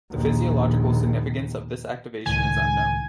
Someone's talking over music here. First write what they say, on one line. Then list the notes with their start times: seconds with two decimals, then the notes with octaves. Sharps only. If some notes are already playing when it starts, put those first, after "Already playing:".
The physiological significance of this activation is unknown.
0.11 A#1 D#2
2.26 C#2 A2 D#3 G#5